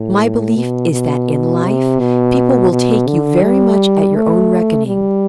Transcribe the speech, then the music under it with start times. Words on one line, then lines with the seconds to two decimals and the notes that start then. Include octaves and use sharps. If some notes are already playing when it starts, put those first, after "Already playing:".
My belief is that in life people will take you very much at your own reckoning.
Already playing: A2
0.56 B2
0.92 B2
1.65 C3
2.00 B2
2.72 B2
3.08 D3
3.43 G3
4.16 A3
4.87 G3